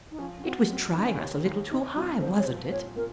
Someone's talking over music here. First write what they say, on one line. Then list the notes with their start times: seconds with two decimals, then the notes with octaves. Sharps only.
It was trying us a little too high, wasn't it?
0.11 D#4
0.18 F3 C#4
0.39 C#4
0.44 C4 F#4
0.69 F#2 C4
0.94 D#3 C#4
1.19 D#2
1.45 D#2
1.70 C3 D#4
1.95 C2 F#4
2.20 C2 C5
2.39 C#5
2.45 F3 C5
2.71 A#2 C#5
2.96 A#2 A#4